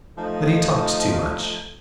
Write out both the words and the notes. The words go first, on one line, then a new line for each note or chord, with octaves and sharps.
"But he talks too much."
F3 A3 D#4